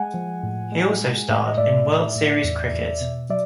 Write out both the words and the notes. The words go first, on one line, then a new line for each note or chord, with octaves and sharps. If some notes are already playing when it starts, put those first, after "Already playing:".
He also starred in World Series Cricket.
Already playing: G#3 F#5 G#5
F3
A2
G#3
G#3
A2
D#5
A2 D5 E5
A2
A2
E2
E2
B2
F#3 D5 E5